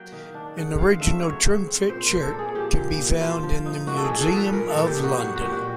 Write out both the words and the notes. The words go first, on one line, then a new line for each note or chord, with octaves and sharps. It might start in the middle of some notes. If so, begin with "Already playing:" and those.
An original Trimfit shirt can be found in the Museum of London.
Already playing: F#3 A#3 G5
D#3
D4
C#3 F#5
C4 F5
A3 E5
F#3 C#5
C#3
C4
A#2 C5
A#2 A#4
A4
A#3
G#4
F3 G4
A#2
A#2
F3 F4
F3
D#4
A#3 F#4
A4
G#4
F3
A4
F3
B4
A#2 A#4
A4
A#2
G4
B3
F#4
F#3 F#4
F#4
A#2 G4
F#4